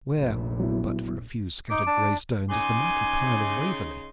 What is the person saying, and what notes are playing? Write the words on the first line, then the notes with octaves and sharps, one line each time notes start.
Where, but for a few scattered gray stones, is the mighty pile of Waverley?
F1 A#1
F#3 B3 E4
D#4 D6
D4 A5
C#3 D#4 G#5 C6 D6